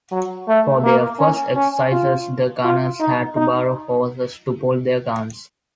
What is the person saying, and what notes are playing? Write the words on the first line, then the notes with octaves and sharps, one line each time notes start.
For their first exercises the gunners had to borrow horses to pull their guns.
F#3
A3
A#3
C#4
C#4
F4
F4
D#4
D#4